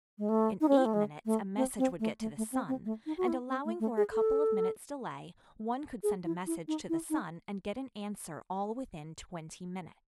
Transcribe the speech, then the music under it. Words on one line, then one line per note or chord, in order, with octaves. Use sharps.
In eight minutes a message would get to the sun, and allowing for a couple of minutes' delay, one could send a message to the sun and get an answer all within twenty minutes.
G#3
A3
D#4
C#4
C4
A3
G#3
A3
C4
C4
A3
A3
A3
C4
C4
A3
D#4
F#4
E4
C4
A3
A3
G#4
A4
G#4
E4
E4
D#4
E4
D#4